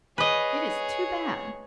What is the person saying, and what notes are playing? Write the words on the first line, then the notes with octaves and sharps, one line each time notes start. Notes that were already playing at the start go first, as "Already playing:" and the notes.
It is too bad.
G#4 B4 C#5 D#5